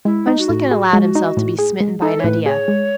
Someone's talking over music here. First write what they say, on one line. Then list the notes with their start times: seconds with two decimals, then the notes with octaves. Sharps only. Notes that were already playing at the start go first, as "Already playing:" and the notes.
Von Schlichten allowed himself to be smitten by an idea.
0.05 G#3 E4
0.27 D#4
0.39 F#4
0.49 A2
0.71 G#4
0.93 G#3
1.15 D#4
1.37 A2
1.59 G#4
1.80 G#3
2.02 D#4 A4
2.20 C#5
2.24 A2 B4
2.46 G#4 C#5
2.68 G#3